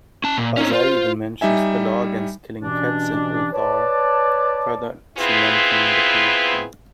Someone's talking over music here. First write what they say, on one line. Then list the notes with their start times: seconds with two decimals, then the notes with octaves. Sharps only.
Barzai even mentions the law against killing cats in Ulthar, further cementing the connection.
0.24 C#4 A5
0.37 A#2
0.57 C4 C#4 D#4
0.72 F4 C5
1.41 G3 D#4 E5 G#5
2.61 G2 B2 E3 C#4 D4
3.53 B4 C#5 D5 A5
5.18 B3 C4 E4 F4 G#4 B4